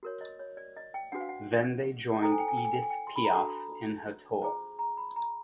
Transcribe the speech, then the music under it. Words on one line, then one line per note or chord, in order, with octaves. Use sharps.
Then they joined Edith Piaf in her tour.
F#4 A#4 C#5
D#5
C#5
D5
D#5
G5
D4 F#4 B4 F#5
F5
F#5
E4 A4 C5 G5
G#5
G5
G#5
G5
G#5
G5
G#5
G5
C6
B5
A#5
D4 F#4 A4 A5
F4 G#4 C5 A#5
A#5
B5
A#5